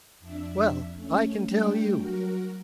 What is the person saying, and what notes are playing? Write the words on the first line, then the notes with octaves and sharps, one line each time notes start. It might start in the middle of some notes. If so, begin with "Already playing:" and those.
Well, I can tell you.
F2 D4 E5
A3 C#4
G3 A3 D4 G5
F#3 F#4 A#4